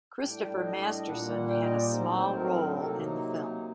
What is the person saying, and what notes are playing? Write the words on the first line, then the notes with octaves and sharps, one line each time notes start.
Christopher Masterson had a small role in the film.
A2 G3 D4 G5
D#5
D5
D#5
A#2 G3 A#3 F#5
G5
D#5
D5
A2 F#3 C4 D#4 C5
A#4
C3 F#3 A#3 D#4 A4